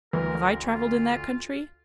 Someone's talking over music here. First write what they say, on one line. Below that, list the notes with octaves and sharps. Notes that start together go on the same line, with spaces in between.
Have I travelled in that country?
D2 E3 A#4
F4